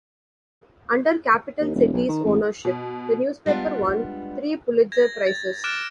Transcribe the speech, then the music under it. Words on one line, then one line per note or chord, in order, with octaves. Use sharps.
Under Capital Cities ownership the newspaper won three Pulitzer Prizes.
D#2
E1
B1
D#3
A1
B2
G3 G#3 B3 D4 F4
G#6 A#6
A6
D6 F6 F#6 A6 D7 E7